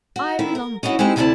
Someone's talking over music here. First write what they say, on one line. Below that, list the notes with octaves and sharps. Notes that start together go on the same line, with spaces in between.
I belong to it.
F#4
D#3 E4
A#4
C#4 D#4 E4 F#4
G#3 C4 D#4 E4 G4
D2 C3 E4 A#4 D5 A5